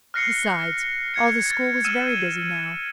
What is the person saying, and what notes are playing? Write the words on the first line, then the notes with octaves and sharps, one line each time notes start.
Besides, all the school was very busy now.
F6 F#6 A#6 C7 C#7
G#6 C#7
G#6 A6
E6 F6 D#7 E7